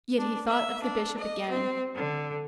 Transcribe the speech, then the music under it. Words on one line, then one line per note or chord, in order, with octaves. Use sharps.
Yet he thought of the bishop again.
D4
E5
D4
D#5
C4
D3